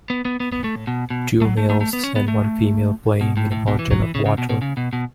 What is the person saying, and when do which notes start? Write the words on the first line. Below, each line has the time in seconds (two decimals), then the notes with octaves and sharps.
Two males and one female playing in a fountain of water.
0.10 B3
0.25 B3
0.40 B3
0.52 B3
0.64 A3
0.76 A2
0.87 B2
1.10 B2
1.42 A3
1.45 F#3
1.57 A3
1.70 A3
1.81 A3
1.93 B3
2.04 C#4
2.16 B3
2.28 A3
3.21 B2
3.37 A2
3.52 A2
3.68 B2
3.79 E3
3.91 F#3
4.02 E3
4.15 C#3
4.26 C#3
4.38 B2
4.49 B2
4.62 C#3
4.77 B2
4.93 B2